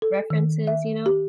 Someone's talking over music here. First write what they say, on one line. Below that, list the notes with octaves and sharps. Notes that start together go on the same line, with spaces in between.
references, you know?
A4
D#3
E5
G4